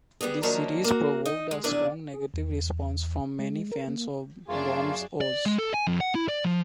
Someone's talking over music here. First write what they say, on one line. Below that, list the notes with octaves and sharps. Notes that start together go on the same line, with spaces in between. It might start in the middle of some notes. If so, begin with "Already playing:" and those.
The series provoked a strong negative response from many fans of Baum's Oz.
G3 B3 G4 G#4
D#3 F3 F#3 A#3 C#4 D4
A#3 F#4
D#4 D#5
G#3
E2 C3 D4 E4 D5 G#5
G#4
E2
G#3
A#4
A#3
F#2 A#3 D4 F4 G#4 E5 F5 C#6
D5
G#3
A4
G#5
F2
F#5
E4
D5
F3